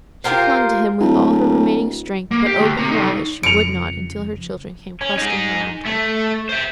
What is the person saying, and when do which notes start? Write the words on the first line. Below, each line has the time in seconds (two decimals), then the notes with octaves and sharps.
She clung to him with all her remaining strength, but open her eyes she would not until her children came clustering around her.
0.24 F4 G4 A#4 C5
1.01 D1
2.31 A#3
2.46 G4
2.59 D2
2.78 C4 A#5
2.91 D#4 A4
3.43 F2 C#3 F3 G#3 C#7 D7 F7
5.01 C#4
5.18 D#4 G#4
5.85 A3
6.49 C5 E5